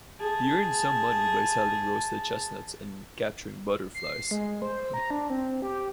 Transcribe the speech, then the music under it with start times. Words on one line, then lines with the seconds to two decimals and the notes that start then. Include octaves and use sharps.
He earned some money by selling roasted chestnuts and capturing butterflies.
0.20 G#4 A5
3.94 C7
4.31 G#3
4.62 C5
4.94 A#5
5.11 D4
5.30 C4
5.62 G4